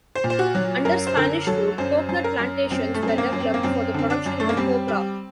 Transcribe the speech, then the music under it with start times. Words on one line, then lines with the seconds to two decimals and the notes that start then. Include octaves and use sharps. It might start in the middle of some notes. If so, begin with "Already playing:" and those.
Under Spanish rule, coconut plantations were developed for the production of copra.
0.15 C5
0.24 A#2
0.30 C5
0.39 F#4
0.55 F#3
0.85 F#2 A#4
1.07 C5
1.16 D3 A#4
1.47 F#3 A4
1.78 F#2 C5
2.09 F#2
2.24 A#4
2.40 F#2
2.71 F#2 C4
2.94 A3
3.03 F#2
3.08 C4
3.18 A#3
3.32 F#2
3.40 C4
3.54 A#3
3.63 F#2 C4
3.94 D3 C4
4.10 D4
4.26 F#2
4.40 A3
4.49 A#3
4.57 G3 C4
4.88 G3